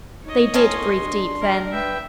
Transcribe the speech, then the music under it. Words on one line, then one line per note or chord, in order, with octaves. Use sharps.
They did breathe deep then!
D#4 C#5 D#5
A2 D#3 F3 C#4 C6
D4
A#4
B4 E5 G5